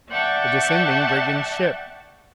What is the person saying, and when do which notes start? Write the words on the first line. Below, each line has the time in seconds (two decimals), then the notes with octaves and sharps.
The descending brigand ship!
0.10 D5 E5 F#5 G5 A5 C#6